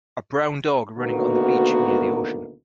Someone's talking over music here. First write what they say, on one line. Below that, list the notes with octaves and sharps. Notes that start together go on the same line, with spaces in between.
A brown dog running on the beach near the ocean.
D2 B2 D#3 A#3 B3 F#4